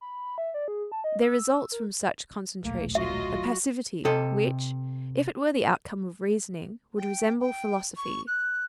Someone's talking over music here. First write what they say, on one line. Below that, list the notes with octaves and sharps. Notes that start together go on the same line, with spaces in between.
There results from such concentration a passivity, which, if it were the outcome of reasoning, would resemble philosophy.
B5
B5
E5
D5
G#4
A5
D#5
E6
A#4
D#1 B1 A3 A#3
F#3 F4 F#4 D#5 E5
C3 A4 D#5
G5
G5
C#6
F#6